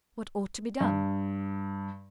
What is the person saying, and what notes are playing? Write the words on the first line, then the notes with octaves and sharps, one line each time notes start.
What ought to be done?
G2